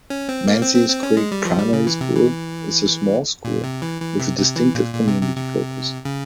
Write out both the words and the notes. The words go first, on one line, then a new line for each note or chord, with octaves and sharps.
Menzies Creek Primary School is a small school with a distinctive community focus.
C#4
C4
A#3
C4
C4
C4
C#4
G#3
G3
F3
G3
C#3
E3
C3
E3
A#2
C3
E3
E3
C3
C3
E3
A#2
A#2
C3
C3
C3
C#3